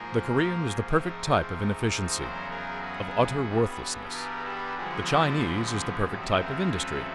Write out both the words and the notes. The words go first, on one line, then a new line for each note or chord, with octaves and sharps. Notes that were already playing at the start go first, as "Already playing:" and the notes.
The Korean is the perfect type of inefficiency--of utter worthlessness. The Chinese is the perfect type of industry.
Already playing: G#2 F3 A#3 G#4 A#4
G#2 F3 A3 C4 D#4 G#4 A#4
E2 C#3 F#3 A#4 C5
G#4 A#4
F#4 G#4
G2 E3 G3 B3 D4
G#4 A#4
G4 A4
F#2 D3 F3 G#3 B3 F#4 G#4
C5 D5
F#4 G#4
E2 C#3 F#3 A3 C4 G4 A4
G#4 A#4
A4 B4